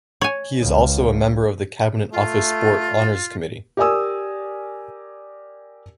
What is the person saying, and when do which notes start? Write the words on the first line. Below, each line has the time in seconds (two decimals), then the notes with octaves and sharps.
He is also a member of the Cabinet Office Sport Honours Committee.
0.21 C#5 G#5
0.62 C#2
2.12 A3 F4
3.77 G4 A#4 D5 G#5 D#6 E6